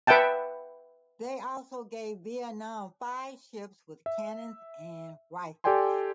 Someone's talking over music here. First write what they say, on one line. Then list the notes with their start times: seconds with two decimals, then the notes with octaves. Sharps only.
They also gave Vietnam five ships with cannons and rifles.
0.07 B4 E5 F#5 G5 A5
4.06 E5
5.64 G4 A4 D5 G5 G#5 C6